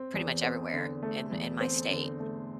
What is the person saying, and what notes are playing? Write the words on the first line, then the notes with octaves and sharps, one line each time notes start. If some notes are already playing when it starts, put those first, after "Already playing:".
pretty much everywhere in in my state.
Already playing: C4
E2
C4
D3
A3
E2
C4
D3
A3